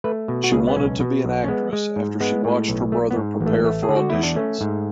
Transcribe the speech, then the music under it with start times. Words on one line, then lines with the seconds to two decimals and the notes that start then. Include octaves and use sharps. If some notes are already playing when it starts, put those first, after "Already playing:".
She wanted to be an actress after she watched her brother prepare for auditions.
0.04 A3 B4
0.28 B2
0.44 F#4
0.52 C#2 G#4
0.67 B3
0.77 B1 C#4
1.00 B2
1.24 B1
1.44 C#4
1.48 G#3 B3
1.73 G#3
1.96 G#2
2.20 G#3 B3
2.44 A2
2.68 B1
2.92 A3
3.10 B3
3.17 G#2
3.41 A1
3.46 A3
3.64 A3
3.83 G#4
3.89 D3
3.96 F#4
4.10 E2 E4
4.23 D4
4.36 A3 C#4
4.61 G#2